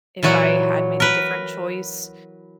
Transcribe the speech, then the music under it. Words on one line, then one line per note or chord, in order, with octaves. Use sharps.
if I had made a different choice,
A#2 E3 F#3 F#4
A#4 B4